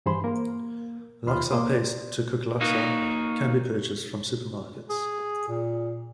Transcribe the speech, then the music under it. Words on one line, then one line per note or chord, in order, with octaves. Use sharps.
Laksa paste to cook laksa can be purchased from supermarkets.
G2 E3 G#4 C5 B5 C6
A#3 A#4
D#2 F4 B5 C6 F6
A#3 C6 D6 D#6
D5
A#3 D#4 F#4
G#4
A#2